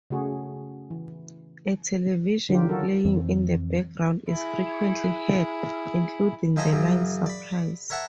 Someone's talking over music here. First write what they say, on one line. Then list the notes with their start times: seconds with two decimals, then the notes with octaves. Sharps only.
A television playing in the background is frequently heard, including the line, Surprise!
0.10 C#3 A3 F#4 G#4
0.90 E3
2.49 D3 F#3 D#4 F4 G4
2.69 D#3 F#3 F#4 A4 A#4
3.05 F2 E3
4.29 E4 G#4
6.56 D#3 F3 E4 A4 G#5 A#5
6.72 F#2 C#3 E3
7.26 D5 B5
7.90 A#4 C#5 E5 F#5 A5 A#5